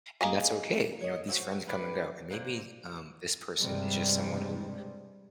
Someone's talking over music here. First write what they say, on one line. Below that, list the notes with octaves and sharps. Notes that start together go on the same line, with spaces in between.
and that's okay, you know, these friends come and go, and maybe, um, this person is just someone who,
A#3 G#4 D#5
C#5 D#5
A3 C4 E4 F#4
D4 B4 G5
D3 A#3 C4
G2 C3 G3 G#3